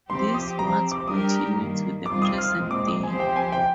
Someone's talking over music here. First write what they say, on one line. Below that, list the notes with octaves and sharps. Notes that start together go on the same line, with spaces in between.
These wards continue to the present day.
F3 C4 G4 C6
D#6
F3 C4 G4 A#5
D6
G3 D4 G4 A#4 D#6
G2 D#3 G3 A#3
D#3 G3 C4 F4 D6
D#6
F6
A#2 G#3 C4 D#6
D6
D#6
F3 C4 G4 C5 G#5
G5
G#5
G5